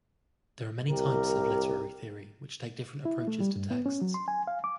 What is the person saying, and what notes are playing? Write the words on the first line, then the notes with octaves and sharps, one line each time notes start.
There are many types of literary theory, which take different approaches to texts.
C2 G4 A#4
E4
A3
G3
G2
B3
C#4
F#3
C6
G#5
F5
D6